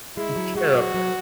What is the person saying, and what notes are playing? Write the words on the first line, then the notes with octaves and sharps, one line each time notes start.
take care of.
G#3 E4
F#3
G#3 F#4
F#3
F#3